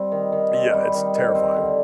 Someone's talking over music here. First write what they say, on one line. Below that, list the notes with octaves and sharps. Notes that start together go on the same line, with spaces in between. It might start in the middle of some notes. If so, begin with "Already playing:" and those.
Yeah, it's terrifying.
Already playing: G3 C4
D#3
D#3
C4
G3
D#3
D#3
C4
D3